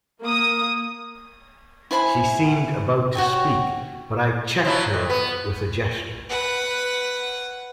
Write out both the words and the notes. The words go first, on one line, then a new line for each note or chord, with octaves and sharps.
She seemed about to speak, but I checked her with a gesture.
A#3 D#6
E4 C5 G#5 B5
F#4 C#5 G5
F3 F#3 E4
F2
B3
B4 F#5